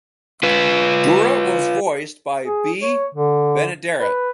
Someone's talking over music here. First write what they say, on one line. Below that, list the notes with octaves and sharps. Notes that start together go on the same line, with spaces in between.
Dora was voiced by Bea Benaderet.
F4 B4
G#4
C#5
D3
B4